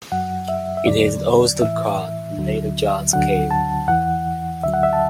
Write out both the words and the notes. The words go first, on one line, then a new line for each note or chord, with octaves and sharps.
It is also called Little John's Cave.
F#2 F#3 F#5
E5
E5
E2 D3 F#3 D5
A2 E3 E5
D2 D3 F#3
D2 D3 F#3 F#5
A5
E2 E3 F#5
D2 D3 F#3 E5
F#5
E5
A5